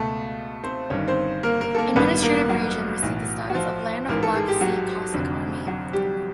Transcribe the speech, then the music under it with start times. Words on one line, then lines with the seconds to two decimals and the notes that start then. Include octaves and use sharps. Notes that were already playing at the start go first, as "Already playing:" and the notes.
Administrative region received the status of "Land of Black Sea Cossack Army".
Already playing: C#2 B2 A3 A4
0.64 C4 C5
0.90 G1 G2 D#3 C#4 C#5
1.08 C4 C5
1.43 A#3 A#4
1.61 A#3 A#4
1.75 A4
1.78 A#3 A#4
1.96 A1 G2 D#3 B3 B4
2.22 A#3 A#4
2.49 F#3 F#4
3.02 B1 A2 E3
3.50 F#4
3.55 F3 F4
4.08 A1 G#2 E3 A#4
4.23 A4
4.35 G#4
4.48 G4
4.61 F#3 F#4
5.14 F1 F2 D3
5.67 F#3 F#4
5.93 G3 G4